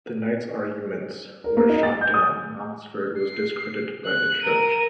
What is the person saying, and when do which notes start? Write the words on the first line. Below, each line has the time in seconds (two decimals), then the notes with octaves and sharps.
The knights' arguments were shot down, and Oxford was discredited by the Church.
1.44 A#4
1.57 A#3
1.70 D#4
1.83 A6
2.01 G6
2.14 D#6
3.19 C7
4.06 F#6
4.42 A#4 D#7